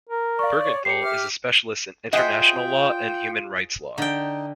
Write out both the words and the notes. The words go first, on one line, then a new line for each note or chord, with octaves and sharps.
Buergenthal is a specialist in international law and human rights law.
A#4
D5 F5 C#6
C#5
G4 C7 C#7
E5 D6 F6
F4 G#4 C5 D#5 E5 F#5 G5
D3 D#4 G5